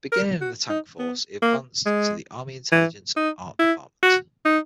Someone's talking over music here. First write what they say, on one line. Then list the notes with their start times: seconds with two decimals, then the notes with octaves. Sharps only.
Beginning in the Tank Force, he advanced to the Army Intelligence art department.
0.12 A#4
0.41 F#4
0.70 D#4
0.99 B3
1.42 A#3
1.86 G#3
2.72 E3
3.16 D#4
3.59 E4
4.03 F#4
4.45 D#4